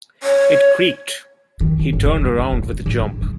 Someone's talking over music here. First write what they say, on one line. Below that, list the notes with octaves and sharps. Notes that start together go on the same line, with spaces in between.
It creaked; he turned round with a jump.
C#5
D#3
C#3
G#1
C#3
G3
D3
A#2
F1
A1
C#2
G#3